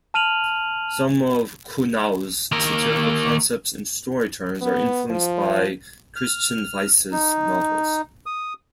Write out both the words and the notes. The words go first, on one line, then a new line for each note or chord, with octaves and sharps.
Some of Kuhnau's satirical concepts and story turns are influenced by Christian Weise's novels.
A5 F6 D#7 F7 F#7
D#2 A#4
B3
F3
F6
D#4
D#6